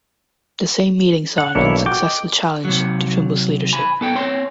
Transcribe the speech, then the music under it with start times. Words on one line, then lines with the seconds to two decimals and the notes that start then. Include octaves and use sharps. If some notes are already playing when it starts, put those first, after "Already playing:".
The same meeting saw an unsuccessful challenge to Trimble's leadership.
1.38 F#5
1.55 B1 A#3 D4 E4 C#5
1.86 F#4 G5 D6
2.05 D#5
2.65 C3 F#3
3.73 G#5 B5
4.01 B3 A4 G5
4.15 C4 C#5 C6